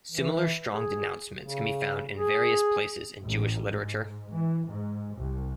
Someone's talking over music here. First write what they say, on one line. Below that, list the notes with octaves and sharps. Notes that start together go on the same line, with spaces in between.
Similar strong denouncements can be found in various places in Jewish literature.
E3
G#4
C#3
G#4
A1
G#2
E3
G#2
C2